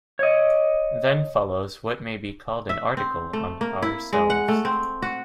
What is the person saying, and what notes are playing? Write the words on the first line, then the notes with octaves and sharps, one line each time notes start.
Then follows what may be called an article on "Ourselves".
C#5 D#5
E5
C4
A3
A#3
E4
G#3
F#5
A3
C4
F#4